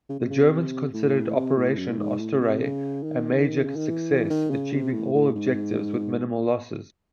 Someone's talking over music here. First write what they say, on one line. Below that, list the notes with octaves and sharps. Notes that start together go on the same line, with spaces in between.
The Germans considered Operation "Osterei" a major success, achieving all objectives with minimal losses.
C#3
C3
C#3
C3
A2
C3
A2
F#2
A2
G#2
A2
C3
C#3
D#3
C#3
D#3
E3
D#3
C#3
C3
A2
A2
G#2